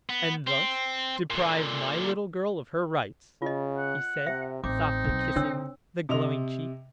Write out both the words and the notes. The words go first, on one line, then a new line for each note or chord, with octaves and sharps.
"And thus deprive my little girl of her rights," he said, softly kissing the glowing cheek.
B3
C4
A#2 D3
C#3 F4 D#5
F#5
C3 E5
A1 C4 D#4 D6
B1 B3
D3 D4 C#5 E6
C3 D#5 F7